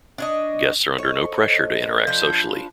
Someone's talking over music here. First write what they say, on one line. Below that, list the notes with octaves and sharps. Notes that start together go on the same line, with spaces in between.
Guests are under no pressure to interact socially.
D4 C#5 D#5
A4 C5 C#5 D#5
F3 D4 B4 G6